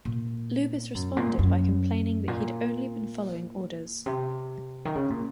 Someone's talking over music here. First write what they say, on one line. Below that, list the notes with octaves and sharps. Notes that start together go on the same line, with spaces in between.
Lubis responded by complaining that he had only been following orders.
A#2
F#2
A#2
F#2
A#2
C3
D#3
C#3
A#2